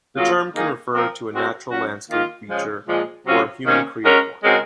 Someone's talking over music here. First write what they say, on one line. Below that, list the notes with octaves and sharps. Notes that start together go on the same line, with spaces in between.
The term can refer to a natural landscape feature or a human-created one.
C#3 F#3 A#3 F4
D#3 A#3 D#4 G#4
F3 C4 F4 A#4
G#3 C4 F#4 A#4
F#3 C#4 F#4
D#3 A#3 F4
C#3 F3 G#3
A#2 F3 G#3
C3 F#3 C#4 F4
C3 D#3 A#3 C#4
G#3 C#4 F#4 A#4
C#3 G#3 C4 F#4 A#4